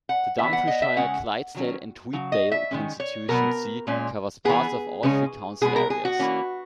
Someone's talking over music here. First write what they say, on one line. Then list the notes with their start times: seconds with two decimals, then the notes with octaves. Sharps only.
The Dumfriesshire, Clydesdale and Tweeddale constituency covers parts of all three council areas.
0.09 F#5
0.38 E3 B3 E5
0.53 F#5
0.67 D#5
0.82 E5
0.96 C#3 G#3 C#4 F#5
1.55 D#3 F#3 C#4
2.13 C#3 F#3
2.32 D#5
2.52 E5
2.71 D#3 G#3 C#4
3.00 C#5
3.28 B2 F#3 B3 A#4
3.87 A#2 G#3 C#4
4.45 E3 B3 G#4
5.03 C#3 G#3 C#4
5.61 B2 G#3 B3 G#4
5.76 A#4
5.90 G#4
6.05 F#4
6.19 E3 A#3 C#4